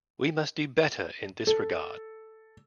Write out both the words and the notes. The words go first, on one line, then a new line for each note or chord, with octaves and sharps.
We must do better in this regard.
A4